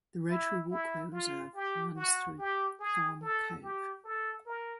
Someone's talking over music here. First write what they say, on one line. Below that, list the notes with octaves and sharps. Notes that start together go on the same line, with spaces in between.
The Rotary Walkway Reserve runs through Farm Cove.
E4
E4
F4
G4
F#4
G4
G#4
A4
G4
A4
A#4